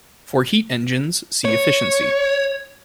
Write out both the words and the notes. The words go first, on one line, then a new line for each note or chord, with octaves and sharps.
For heat engines, see Efficiency.
C#5